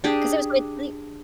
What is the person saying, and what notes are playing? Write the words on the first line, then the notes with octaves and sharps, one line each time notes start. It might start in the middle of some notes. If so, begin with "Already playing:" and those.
'cause it was quite le
D4 G4 G#4